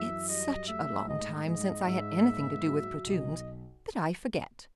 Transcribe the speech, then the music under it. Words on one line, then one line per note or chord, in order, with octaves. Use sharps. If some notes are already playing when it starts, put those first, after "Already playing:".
It's such a long time since I had anything to do with platoons that I forget.
Already playing: F#2 E3 E5
G3 D#5
A3 E5
G#2 D#5
G#2 D#5
G#2 E5
A#3
F#3
B1 D#5